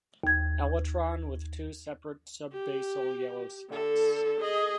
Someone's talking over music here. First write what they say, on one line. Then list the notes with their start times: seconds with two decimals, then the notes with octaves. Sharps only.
Elytron with two separate subbasal yellow spots.
0.24 D#2 G#6
2.53 G4
3.70 D3 A4
4.41 G#4 D#5